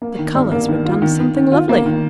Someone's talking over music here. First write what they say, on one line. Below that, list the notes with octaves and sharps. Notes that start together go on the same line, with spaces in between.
The colours were done something lovely.
A#3
D#3
G2
A#3
D#3
F4
D#3
D#3
D#3
F4
A#3
D#3